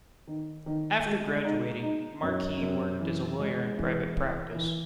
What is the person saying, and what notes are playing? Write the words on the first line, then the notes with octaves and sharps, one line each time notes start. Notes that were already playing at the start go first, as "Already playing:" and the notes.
After graduating, Markey worked as a lawyer in private practice.
D#3
D#3
G#3
D#4
D#4
F#2
F#2
E3
G#3
E3
E3
E3